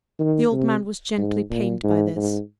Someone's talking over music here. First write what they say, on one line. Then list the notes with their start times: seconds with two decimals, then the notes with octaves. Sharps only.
The old man was gently pained by this.
0.19 D#3
0.52 C3
1.18 G#2
1.50 A#2
1.84 G#2
2.16 G#2